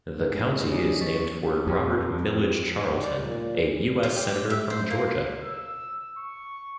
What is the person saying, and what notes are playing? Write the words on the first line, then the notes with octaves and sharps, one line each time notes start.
The county is named for Robert Milledge Charlton, a U. S. Senator from Georgia.
G2 G#3 D#4
F3 F#3 C#4 D4 D5 D#5
C#6 A6 B6
F2
D5
A#2
F4
G4
G4
E5
C5
A#3
E6
C#6